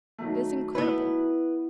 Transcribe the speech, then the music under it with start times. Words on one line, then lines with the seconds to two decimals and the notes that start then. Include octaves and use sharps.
It is incredible!
0.18 D#3 F#3 A3
0.75 B3 E4 B4